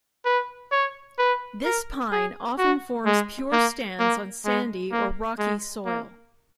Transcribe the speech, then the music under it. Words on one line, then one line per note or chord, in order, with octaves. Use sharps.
This pine often forms pure stands on sandy or rocky soil.
B4
C#5
B4
A#4
G#4
F#4
G#3
A#3
A#3
G#3
A#3
G#3
A#3